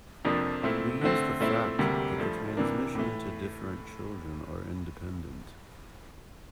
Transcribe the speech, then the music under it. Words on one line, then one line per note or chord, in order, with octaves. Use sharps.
We use the fact that the transmission to different children are independent.
F2 C3 F3 A#3 D4
A#2 A3 C4 E4
D3 A3 C4
A#2 A3 C4 E4
D2 C3 G3 A#3
G2 F3 A3
C3 E3 A#3 D4
A2 E3 A3